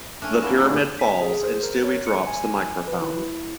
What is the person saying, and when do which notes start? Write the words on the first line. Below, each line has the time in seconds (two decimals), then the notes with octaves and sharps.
The pyramid falls and Stewie drops the microphone.
0.22 A3 C#4 D4
0.42 A#3 E4 F#4 A5
0.63 A#2 A3 D4
0.99 B6
1.21 G#4
1.43 C5
1.63 A#4
1.84 C#5
2.07 C#7
2.27 G#5
2.87 B4
3.02 E4